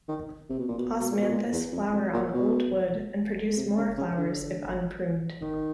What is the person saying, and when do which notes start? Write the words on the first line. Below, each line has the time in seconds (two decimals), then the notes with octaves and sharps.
"Osmanthus" flower on old wood and produce more flowers if unpruned.
0.08 D#3
0.50 C3
0.59 B2
0.68 A#2
0.78 B2
1.00 B2
1.11 A#2
1.21 B2
1.31 A#2
1.52 E2
1.72 F2
1.93 F2
2.13 A#2
2.34 B2
3.57 C3
3.77 C#3
3.97 C#3
4.18 D3
5.41 D#3